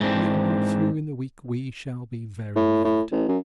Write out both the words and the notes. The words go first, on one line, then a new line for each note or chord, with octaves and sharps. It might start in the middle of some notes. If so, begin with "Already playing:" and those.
If we are not through in the week we shall be very near it.
G#2 E3 C4 D4
A2
A2
A1
F#2